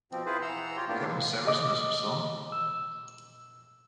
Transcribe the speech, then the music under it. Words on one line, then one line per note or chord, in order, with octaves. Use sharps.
Kevin Severson is her son.
B2 F3 C4
E4 F4 G#4 B4 C5
E3 F#5 A#5 C6 E6
F4 G4 C#5
A2 A#3 B3 D4 F4 G4
A2 G#3
D#5 D6
E6